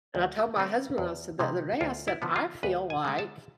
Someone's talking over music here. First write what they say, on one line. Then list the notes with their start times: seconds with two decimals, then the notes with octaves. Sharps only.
And I told my husband, I said the other day, I said, "I feel like"
0.15 D2
0.56 D3 A3 C4
0.98 E2
1.39 C3 E3 G#3
1.81 D2 F4
2.08 E4
2.22 D3 F3 B3
2.36 F4
2.63 D2 B4
2.90 G#5
3.05 D3 G#3
3.19 A5